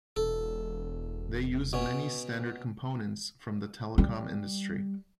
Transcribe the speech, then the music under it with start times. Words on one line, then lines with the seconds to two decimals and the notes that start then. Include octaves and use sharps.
They use many standard components from the telecom industry.
0.16 E1 A4
1.73 B2 C#4
3.98 G3